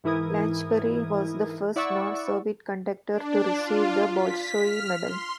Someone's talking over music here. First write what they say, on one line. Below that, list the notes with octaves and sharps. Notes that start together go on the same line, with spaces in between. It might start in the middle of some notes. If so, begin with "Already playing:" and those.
Lanchbery was the first non-Soviet conductor to receive the Bolshoi Medal.
G#2 E3 E4 A#4 D#6 G#6
E4 D5 F#5 C#6 E6
D4
F4
B6
F6
C6